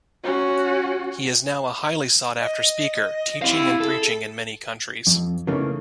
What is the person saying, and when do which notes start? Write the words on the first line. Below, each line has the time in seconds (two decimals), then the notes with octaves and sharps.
He is now a highly sought after speaker, teaching and preaching in many countries.
0.24 C#4 F#4
2.39 D#5
3.42 C4 E4 G4 F5
3.81 G#4 A4
5.07 F2
5.47 C#3 E3 A3 A#3 C#4 D#4